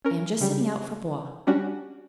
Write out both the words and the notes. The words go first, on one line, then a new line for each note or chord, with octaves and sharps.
I am just setting out for Blois.
C#4 A#4
C#3 G3
G3 C#4 D4 F#4